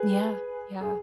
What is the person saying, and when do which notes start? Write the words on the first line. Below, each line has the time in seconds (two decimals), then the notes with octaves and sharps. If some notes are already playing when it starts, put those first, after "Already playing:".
Yeah. Yeah.
Already playing: G#4 B4
0.81 G#4